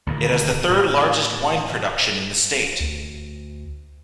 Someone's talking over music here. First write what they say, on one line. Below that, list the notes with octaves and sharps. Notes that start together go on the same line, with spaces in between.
It has the third-largest wine production in the state.
D2 A#2 D#3
A2
D2